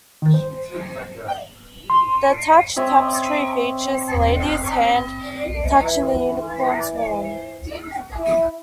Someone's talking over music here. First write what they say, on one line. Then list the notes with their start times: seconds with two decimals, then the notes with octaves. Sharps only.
The "Touch" tapestry features the lady's hand touching the unicorn's horn.
0.22 D#3
0.34 C5
1.90 C6
2.76 C4 C#5 D#5 E5
5.80 E3
8.17 E4